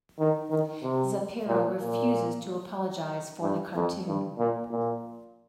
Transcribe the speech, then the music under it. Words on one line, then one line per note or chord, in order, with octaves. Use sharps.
Zapiro refuses to apologise for the cartoon.
D#3
D#3
C3
A#2
A#2
G2
F2
G2
A#2
A#2